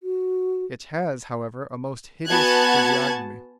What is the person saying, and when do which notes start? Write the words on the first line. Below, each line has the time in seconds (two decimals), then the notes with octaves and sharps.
It has, however, a most hideous physiognomy.
0.03 F#4
2.26 B3 F#4 G#5 A5 F#6 G#6